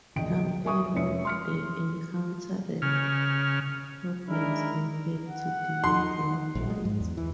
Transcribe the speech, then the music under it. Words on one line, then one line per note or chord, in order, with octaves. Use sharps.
However, they encountered problems and had to delay their flights.
E1 A#1 D3 D#5 G5 D7
A#4 E5 G#5 C#6 D#6
F1 F2 G#3 C#4 E5 C#7
C6 F6 C#7
C#3 F6
D#3 G#3 D4 E4 A#4
F#5
D#4 C6
A#1
G#3
G#2
E2
E3